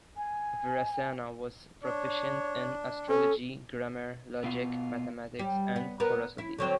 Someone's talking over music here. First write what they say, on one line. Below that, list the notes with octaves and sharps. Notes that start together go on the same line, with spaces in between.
Virasena was proficient in astrology, grammar, logic, mathematics and prosody.
G#5
D4 C#5
C#4 A4
B2 F4
G3
B3
B3 A#4
E4
D3 F#3 C4